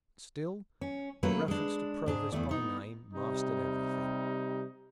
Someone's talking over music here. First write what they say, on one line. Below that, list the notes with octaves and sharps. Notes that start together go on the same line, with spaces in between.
Still, the reference to Provis by name mastered everything.
C#4
F#3 A3 A#3 C#4 B4
G#3 D4
G#2 D4 G#4
E2 B2 A3 D5
B3 D#4
C3 G3 D#4